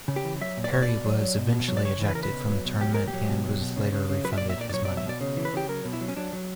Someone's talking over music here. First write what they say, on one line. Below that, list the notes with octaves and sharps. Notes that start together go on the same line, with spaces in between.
Harry was eventually ejected from the tournament and was later refunded his money.
C#3
G4
E3
F#3 E5
A#2
D5
A#2 C#5
D5
B2
F#3
F#3
B2
B2
F#3
D5
C#3 C#5
E3
B4
C#3 A#4
B4
B2
F#3
B2
F#3 G4
A#2 A#4
G4
F#3
B2
F#3
B2
C#3
C#3
C#3
F#3 B4
E5
D5
A#2
E5
A#2 D5
D5
F#3 C#5
D5
B2
E5
B2 D5
C#3
E3
B4
C#3 G4
F#3 A#4
B2
E4
F#3
C#4
F#3 D4
F#3